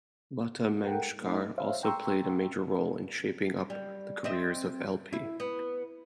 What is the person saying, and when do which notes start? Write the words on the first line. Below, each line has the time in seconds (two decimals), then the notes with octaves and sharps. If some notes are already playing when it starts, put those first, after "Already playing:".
Lata Mangeshkar also played a major role in shaping up the careers of L-P.
0.84 A4 A#4 F#5 G5
1.22 A3 D#4
1.58 C5 C#5 E5 F5
1.83 G5 A#5 C6 C#6 E6
3.70 G3
4.24 C4 D#5 E5
5.13 E4
5.40 B3